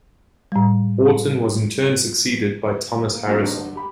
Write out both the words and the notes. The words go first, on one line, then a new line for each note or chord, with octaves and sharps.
Wharton was in turn succeeded by Thomas Harrison.
A2 G3
A#3
G3 A3 A#3 C4 D4 F#4
A1 D4 D#4
D3
G4 B5